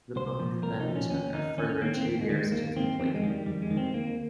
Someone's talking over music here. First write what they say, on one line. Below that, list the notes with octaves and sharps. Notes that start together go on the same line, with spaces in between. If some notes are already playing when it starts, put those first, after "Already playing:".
The book then took a further two years to complete.
C2 C5
A#2 F3
C2 A#4
D#4
A#2 F3
C#4
D#2 C#4
D#3 D#4
D#2 C#4
C#4
D#3 A#3
C4
D#2 A#3
G#3
D#3 G3
G#3
D#2 A#3
A#3
D#3 C4
F2 C4
G#3
D#3
G3
F2 G3
G#3
D#3
C4
D#2 A#3